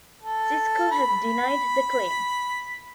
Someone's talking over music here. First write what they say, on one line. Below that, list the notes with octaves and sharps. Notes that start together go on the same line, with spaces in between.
Cisco has denied the claims.
A4
B5